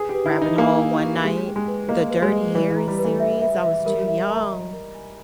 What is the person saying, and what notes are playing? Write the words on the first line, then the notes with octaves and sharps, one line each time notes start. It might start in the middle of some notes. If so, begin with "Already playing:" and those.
rabbit hole one night, the Dirty Harry series, I was too young
Already playing: G#4 B4
G4
B4
E4
A#5
D#4
A#3 G#5
D#5
C#6
G#3 G4
G5
G#3
B4
A#3 D#5
B4
G#3
D#5
E3 B4
E3
A#5
G3
B4
E3
E5
E5
E5
G3 A#4
E5
A#5
D#5
A#4
G#5